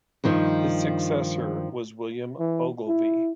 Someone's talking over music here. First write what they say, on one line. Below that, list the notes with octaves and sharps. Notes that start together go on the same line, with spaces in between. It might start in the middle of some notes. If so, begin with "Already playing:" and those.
His successor was William Ogilvie.
G2 D#3 F3 D#4
E3
E4